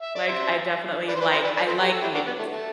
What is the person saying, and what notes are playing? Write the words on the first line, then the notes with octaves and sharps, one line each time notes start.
Like I definitely like, I like convenience.
E5
D5
C5 E5
B4 D5
C5
B4 D5
C5 E5
B4 D5
B4 D5
A4 C5
G4
A4
E4 G4
D4 F#4
B3
A3
A3